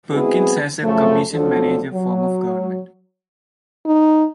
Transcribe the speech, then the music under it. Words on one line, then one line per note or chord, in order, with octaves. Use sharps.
Perkins has a commission-manager form of government.
G#3 B3 C4 E4 F#4 G#4
F#2 C#3 F3 A3
D2 D3 F3 F#3 D4 A4
F#3
D#4